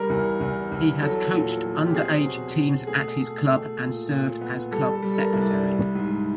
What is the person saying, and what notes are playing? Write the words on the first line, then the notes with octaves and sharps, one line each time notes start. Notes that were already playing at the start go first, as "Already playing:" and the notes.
He has coached underage teams at his club and served as club secretary.
Already playing: G3 A#4
E2
E2
E2
F#3 A4
A#2
F#3
G4
C4 G#4
B2
B2
A3 G#4
A3
A3
A#2
A#2
B3
G3 A4
A4
G3
A4
A#4
C2
D5
G3
G#2